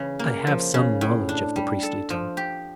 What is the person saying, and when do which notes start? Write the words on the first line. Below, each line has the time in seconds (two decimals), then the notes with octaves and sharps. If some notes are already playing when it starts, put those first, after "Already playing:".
"I have some knowledge of the priestly tongue."
Already playing: C#3 E3
0.19 A#3
0.47 F3
0.74 C#3
1.01 A2
1.29 D4
1.56 G3
1.83 A4
2.10 F3
2.37 G4